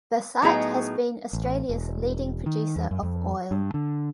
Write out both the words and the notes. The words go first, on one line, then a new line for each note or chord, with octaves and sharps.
The site has been Australia's leading producer of oil.
A2 F#3 B3 D#4 G#4 A#5
A1
E1
D#3
E2
F#2
F2
G2
D3